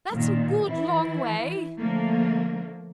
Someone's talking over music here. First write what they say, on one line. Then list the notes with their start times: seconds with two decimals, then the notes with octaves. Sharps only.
'That's a good long way.
0.12 A#2 D#3
0.66 E3 E4
1.78 D3 F3 A3 A#3